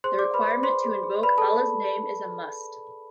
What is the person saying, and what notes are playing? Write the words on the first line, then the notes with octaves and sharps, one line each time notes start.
The requirement to invoke Allah's name is a must.
G#4 C5 C6
D5 D6
G#4
B4 B5
C5
C5 C6
G#4
G#4
B4 D5 B5
A4 A5
G#4